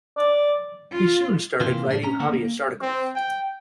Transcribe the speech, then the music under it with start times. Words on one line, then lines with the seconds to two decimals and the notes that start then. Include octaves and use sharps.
He soon started writing hobbyist articles.
0.17 D5
0.91 F4
1.60 C3 E3 A#3 C4 F4
1.86 A2 D4
2.03 C#4 A#5
2.20 D2 D3 A#3 B3 F#5
2.34 A#3
2.82 C4
3.15 G5